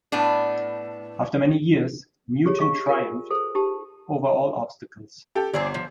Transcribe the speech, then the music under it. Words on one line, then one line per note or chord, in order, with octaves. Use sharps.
After many years Newton triumphed over all obstacles.
A2 B3 D4
G4 G#4 C#5
G#4 D#5 F5 C#6
F4 A#4 D#5 G#5
G#4 A4 C5
D#4 G4 A5
G4 A4
G1 C4 G#4 D5
F3